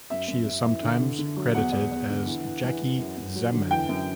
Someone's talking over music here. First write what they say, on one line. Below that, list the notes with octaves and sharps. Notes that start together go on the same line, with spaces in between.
She is sometimes credited as Jackie Zeman.
F#2 E5
F#2
F#2
E3
D3
D3
D3
F#3
E2 F#5
E2
E2
D3
E3
E3
E3
E3
F#2
F#2
F#3
D3
E3 G5
F#2